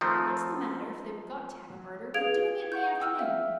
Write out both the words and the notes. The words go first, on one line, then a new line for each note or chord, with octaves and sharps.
What's the matter, if they've got to have a murder, with doing it in the afternoon?
D#3 F3 A3 C4
G#4 B4 F5 G#6 D7 F7
F#5 C#6 G6
G5 E6 F6
E5 F5